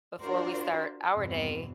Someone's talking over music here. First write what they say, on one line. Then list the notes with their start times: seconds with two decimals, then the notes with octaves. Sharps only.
before we start our day,
0.20 D4 F4 F#4 A#4 C5 D5
1.14 E2 G2 B2 C4